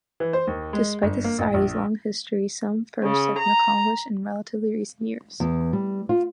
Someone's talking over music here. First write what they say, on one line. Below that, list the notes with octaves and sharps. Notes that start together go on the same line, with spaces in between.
Despite the Society's long history, some firsts have been accomplished in relatively recent years.
E3
C5
D#2
G#3
G1
A#3
A1
A#1
C#3
A#5
E2
G3
F4